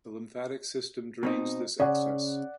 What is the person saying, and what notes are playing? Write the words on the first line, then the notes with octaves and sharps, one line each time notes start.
The lymphatic system drains this excess.
B2 C4 D#4
C#3 D5 F#5